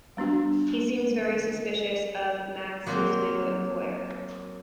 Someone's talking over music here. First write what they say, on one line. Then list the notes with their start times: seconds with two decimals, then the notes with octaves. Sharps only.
He seems very suspicious of Maks's new employers.
0.17 G3 B3 D4 F#4
2.86 F#3 A#3 C4 A#4